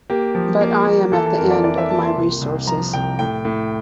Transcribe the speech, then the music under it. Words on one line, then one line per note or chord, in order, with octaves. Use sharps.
But I am at the end of my resources.
A#3 G4
F3
A#3
A#3
E3 A4
A4
F2 A#4
D5
E3 D5
E5
A#3 A5
C6
C2
C2
F3 A#5
C2 G5
A2 G5
A2